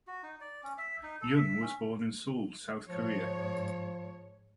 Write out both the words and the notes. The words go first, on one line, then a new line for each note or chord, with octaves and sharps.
Jun was born in Seoul, South Korea.
F#4
D#4
D5
C#4
E5
D#4
A4
E5
C#4
G#2 F3 C#5